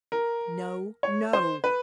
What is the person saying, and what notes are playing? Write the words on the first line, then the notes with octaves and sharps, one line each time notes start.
"No, no!"
A#4
C#5
C5
B4